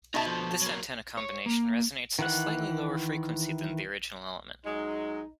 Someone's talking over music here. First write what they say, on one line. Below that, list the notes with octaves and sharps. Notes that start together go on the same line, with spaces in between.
This antenna combination resonates at a slightly lower frequency than the original element.
B2 D#4 E5 A5
D3 F3
F#3 A#3
C#5
A#3
D#3 E3 F#5
F#3 G#3 D#4